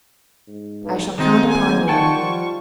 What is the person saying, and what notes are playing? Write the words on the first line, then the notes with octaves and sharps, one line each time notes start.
I shall count upon you.
G#2
B1 G2
F2 G#2 D#3 G3 C4 D#4
A#3 G#5
D#3 G3 F4 F#5 G5 A5 C#6
F3